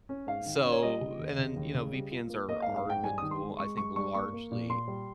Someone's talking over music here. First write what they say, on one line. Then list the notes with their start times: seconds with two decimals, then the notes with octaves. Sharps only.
so, and then, you know, VPNs are are a good tool, I think largely
0.09 C#4
0.27 G#2 F5
0.46 D#3
0.65 C#4
0.72 C#5
0.83 G3 D#5
1.01 C#3
1.19 D#2
1.38 C#3
1.56 D#2
1.75 C#3
1.93 G3
2.11 F4
2.30 A#3
2.49 A#3 D#5
2.62 G#2 F5
2.76 F5
2.86 G#2 G5
3.03 G2 G#5
3.18 D#3 D#6
3.31 C6
3.41 G#3
3.58 G#3 C#6
3.77 G#3 C#6
3.96 G2 C#6
4.14 A#3 C#6
4.33 A#3
4.51 A#2
4.69 A#2 C6
4.88 G3